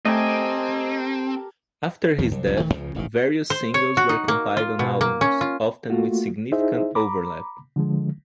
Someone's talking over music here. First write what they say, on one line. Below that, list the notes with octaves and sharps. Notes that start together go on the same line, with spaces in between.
After his death, various singles were compiled on albums, often with significant overlap.
A3 C4 G4 A4 A#4 D#5 G#5
E2 D#3 F3
C2
C2 F#2 A#2 F3
D#1 D#3 E3 A3
C#2 C#3 F3
E1 A1 B2 D#3
C5
C#5
F#4
D#4
A#3
F4
B2
A#3
C#4
F4
A3 A#3 F4 F#4
D#4 E4 G#4 C5 E5
A#5 B5 D6
D3 F3 G#3